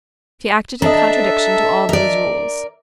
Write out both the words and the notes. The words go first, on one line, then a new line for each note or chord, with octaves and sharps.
She acted in contradiction to all those rules.
D4 A4 D#5 E5 A5 A#5
A#4 D5